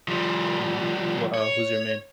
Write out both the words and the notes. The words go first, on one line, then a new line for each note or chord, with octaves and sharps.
Mhm. Wha uh, who's your main?
F3 G3
C#5